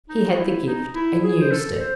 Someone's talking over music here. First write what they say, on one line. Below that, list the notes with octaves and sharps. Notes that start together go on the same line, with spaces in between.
He had the gift and used it.
D#4
F#4
E4
D#4
E4
G#4
C5
A4
C5